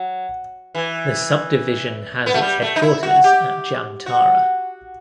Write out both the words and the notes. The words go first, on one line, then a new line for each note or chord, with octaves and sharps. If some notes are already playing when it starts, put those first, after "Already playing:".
The subdivision has its headquarters at Jamtara.
Already playing: F#3
E3
B3
A3
G3
A3
D#4
E4
F#4
G4
F#4